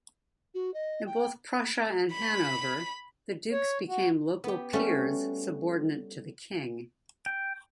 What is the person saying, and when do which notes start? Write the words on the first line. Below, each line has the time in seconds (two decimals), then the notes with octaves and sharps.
In both Prussia and Hanover, the dukes became local peers subordinate to the king.
0.54 F#4
0.74 D#5
1.06 G5
2.12 B5 B6
3.52 C#5
3.89 F#4
4.44 B3 G4
4.73 G3 A3 C#4 F#4
7.26 G5